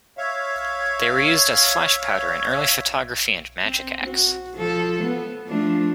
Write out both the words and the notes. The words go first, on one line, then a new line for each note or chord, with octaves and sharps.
They were used as flash powder in early photography and magic acts.
C#5 E5 F5
C4
F#4
F3 A4
B3
F3 A3 D4